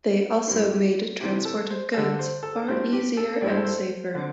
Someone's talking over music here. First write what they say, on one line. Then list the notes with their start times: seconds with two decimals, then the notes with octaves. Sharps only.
They also made transport of goods far easier and safer.
0.47 G2 G3 C4 E4 C5
0.72 G4
1.21 C3 E3 C4 G4
1.45 A4
1.70 C5
1.94 D3 G3 D4 A4
2.19 C5
2.43 A4
2.68 A2 G3 C4 C5
2.93 G4
3.17 A4
3.41 G2 G3 E4 D5
3.50 C5
3.57 A4
3.65 C5
4.15 D3 C4